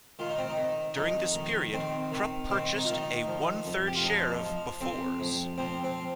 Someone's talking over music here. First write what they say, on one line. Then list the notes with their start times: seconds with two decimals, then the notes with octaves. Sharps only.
During this period Krupp purchased a one-third share of Bofors.
0.19 D#3 F4
0.29 D#4
0.38 C4
0.49 D#4
0.58 D#3
0.96 F2 D#4
1.35 D#3
1.73 D#3 C4
2.12 D#3
2.50 D#3 C4
2.76 D#4
2.85 F4
2.89 D#3 D#4
3.01 D#4
3.27 F3
3.66 F2
3.87 G4
3.95 F4
4.04 F3 D#4
4.43 F3
4.81 F2 C4
5.20 F2
5.58 F3 C4
5.84 C4